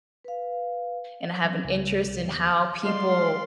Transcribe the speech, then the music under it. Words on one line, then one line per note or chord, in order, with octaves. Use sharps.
and I have an interest in how people
B4 F5
F#3
C#2
C2
D#2
G#3 D5 D#5 F5 C6